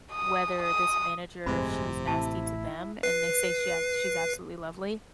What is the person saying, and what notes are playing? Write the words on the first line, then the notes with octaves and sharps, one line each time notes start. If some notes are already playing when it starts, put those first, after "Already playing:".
whether this manager if she's nasty to them, and they say she has she's absolutely lovely,
D#6
D#6
G1 F2 A2 C3 G#3 C5 B5
A1 A2 E4 A5
B4 C7